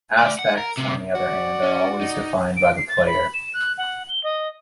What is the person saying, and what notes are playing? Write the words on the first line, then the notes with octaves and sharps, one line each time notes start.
Aspects, on the other hand, are always defined by the player.
A3 D5
F#5
A#4
D2 C3
F#4 D5
C#4
D#4
D7
C7
A6
B5
E7
F#6
F#5
G7
D#5